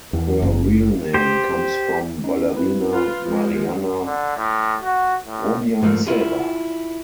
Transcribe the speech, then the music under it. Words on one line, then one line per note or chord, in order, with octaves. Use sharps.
Her real name comes from ballerina Marianna Rumjantseva.
E2
F#1
G4 C5
C#4 D#4
C4 E4 B4
F4 B4
F3 G#3
D3
A2
F#4
A2
G#2 F3 A3 A#3
E4 F4 G#4